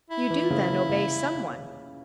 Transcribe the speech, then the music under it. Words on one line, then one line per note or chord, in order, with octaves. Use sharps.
"You do, then, obey some one?"
E4
E3
C#3
C#3
C#3